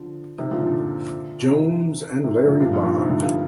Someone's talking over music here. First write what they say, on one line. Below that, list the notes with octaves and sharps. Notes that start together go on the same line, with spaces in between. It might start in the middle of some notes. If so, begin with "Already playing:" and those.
Jones and Larrybob.
Already playing: D3 F3
C3 D#3
A#2 D3
D3 F3
C3 D#3
C3 D#3
G#2 C3
A#2 D3
G2 A#2
F2 G#2
G2 A#2
G#2 C3
A#2 D3
G2 A#2